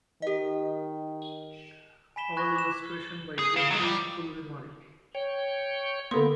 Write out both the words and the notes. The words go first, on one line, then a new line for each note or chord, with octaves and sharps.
All illustration by Jeffrey Fulvimari.
D#3 G4 D#5
G#5 B5 B6 E7 G7
B5 C#6 F#6 G#6 A#6
D6 E7
G#4
G#4 F5
F#3 G#3
G3
C#5 G5
D3 A#3 B3 A4 C6